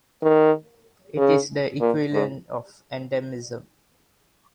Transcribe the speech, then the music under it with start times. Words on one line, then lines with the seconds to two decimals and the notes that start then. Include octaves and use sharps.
It is the equivalent of "endemism".
0.23 D#3
1.17 C#3
1.81 A#2
2.13 G#2